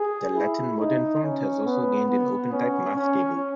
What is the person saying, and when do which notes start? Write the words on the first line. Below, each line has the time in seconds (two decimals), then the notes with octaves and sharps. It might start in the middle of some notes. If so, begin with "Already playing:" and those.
The Latin Modern font has also gained an OpenType math table.
Already playing: G#4
0.36 E4
0.79 D#4
1.23 C#4
1.66 B3
2.09 B3
2.52 C#4
2.96 C#4